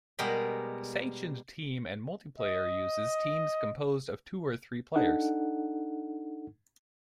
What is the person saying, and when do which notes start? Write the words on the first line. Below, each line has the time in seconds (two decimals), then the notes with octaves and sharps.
Sanctioned team and multiplayer uses teams composed of two or three players.
0.19 B2 G3 G#3 A#4 G5 B5
2.40 D#5
4.96 D4 D#4 A4 F#5